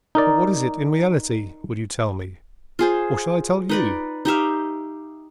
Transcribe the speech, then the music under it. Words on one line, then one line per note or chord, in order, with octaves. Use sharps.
But what is it, in reality, will you tell me? Or shall I tell you?
D#4 A#4 D5
F4 G#4 C5
D#4 B4 D5
D#4 G4 E5 F5